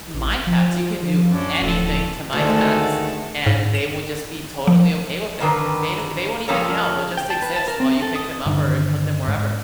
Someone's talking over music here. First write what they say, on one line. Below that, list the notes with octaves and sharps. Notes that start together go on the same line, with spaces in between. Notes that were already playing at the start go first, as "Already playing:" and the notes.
My cats, you can do anything to my cats and they will just be totally okay with it, they know they won't even meow, they'll just exist while you pick them up or and put them wherever,
A1
F3
F#2 C#4 D4
D1 A2 F3 A4
D2 D#3 G#3 A3 F#4 A4
G#2
E7
F3
G2 D3 D#3 A#4 B4
F3 G3 C#4 A4 A#4 C#5
G5
A5
B4
A5
A#4
C4
A4
D#6
G2 D3 D#3
G#2